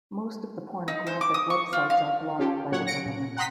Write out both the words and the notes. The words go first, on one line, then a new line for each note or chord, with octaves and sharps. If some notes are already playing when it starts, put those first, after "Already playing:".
Most of the pornographic websites are blocked by the government.
D#4
C5
D6
D#6
C#6
F4
F5
C#4 F4 G4 A4
A#2 F#3 C#5 F#5
A#6 C#7 D7
A#2
F#5 G5 A#5 C6 D#6 B6